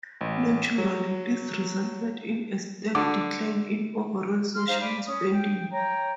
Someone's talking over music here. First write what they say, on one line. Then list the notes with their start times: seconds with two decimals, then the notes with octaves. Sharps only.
Naturally, this resulted in a steep decline in overall social spending.
0.21 A1
0.78 F#3
2.95 D3 D6
4.54 C6 F6
4.67 D#4 C5 F5
4.80 D5 G#5 B5
5.06 C#4 D#6
5.29 G5
5.71 C#5 G5 A#5